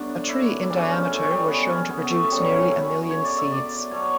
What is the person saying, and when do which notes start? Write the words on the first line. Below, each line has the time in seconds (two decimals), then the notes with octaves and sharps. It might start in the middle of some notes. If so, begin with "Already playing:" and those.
A tree in diameter was shown to produce nearly a million seeds.
Already playing: G2 F#3 A3 B3 D4
0.29 E4
0.62 E4
0.70 F#2 C#3 E3 D4
0.90 C#4
1.10 A3
1.31 G3
1.50 B3
1.71 C#4
1.90 B3
2.03 B3
2.10 A3
2.23 A3
2.30 F#2 C#3 F#3 G3
2.51 C#4
2.71 E4
3.11 C#5
3.24 D5
3.38 E5
3.52 D5
3.91 B2 F#3 C#5